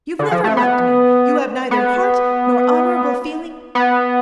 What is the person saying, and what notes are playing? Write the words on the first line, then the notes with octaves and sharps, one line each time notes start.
You have never loved me; you have neither heart nor honorable feeling!
D3
F3
A3
B3
B3
B3